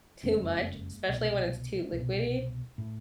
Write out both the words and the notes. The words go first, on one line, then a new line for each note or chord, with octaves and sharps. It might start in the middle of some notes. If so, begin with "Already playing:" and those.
too much, especially when it's too liquidy.
F#1 F2 C#3 G#3 A#3
C2 B2
C2
B2
A2